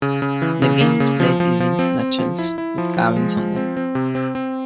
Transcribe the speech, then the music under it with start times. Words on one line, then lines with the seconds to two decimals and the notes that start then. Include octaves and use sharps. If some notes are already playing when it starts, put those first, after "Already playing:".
The game is played using nutshells with carvings on them.
0.02 C#3
0.22 C#3
0.42 E3
0.62 C#3
0.81 A#3
1.00 C#3
1.20 F3
1.40 F3
1.60 F3
1.79 C4
1.99 C4
2.18 F3
2.39 E4
2.58 E4
2.78 F3
2.97 F3
3.16 G#3
3.37 F3
3.56 C4
3.77 C4
3.95 C3
4.15 C4
4.35 C4